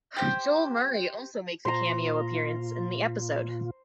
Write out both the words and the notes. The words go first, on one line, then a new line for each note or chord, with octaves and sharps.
Joel Murray also makes a cameo appearance in the episode.
G4 C5
A#2 F4 C5 A#5